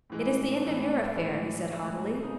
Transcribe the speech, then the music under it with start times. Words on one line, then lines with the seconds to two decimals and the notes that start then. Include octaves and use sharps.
'It is the end of your affair,' he said haughtily.
0.10 A2 E3 G#3
0.63 A2 E3 G#3
1.16 A2 E3 G#3
1.70 A2 E3 G#3
2.23 C#3 G#3 D#4